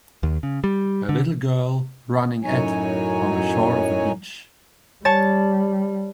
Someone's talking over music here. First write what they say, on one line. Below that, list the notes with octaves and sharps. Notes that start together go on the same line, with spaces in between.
A little girl running at on the shore of a beach.
D#2
C#3
G3
D3
F#2 A2 F#3 D#4 C#5 G#5
G3 C#5 A5 A6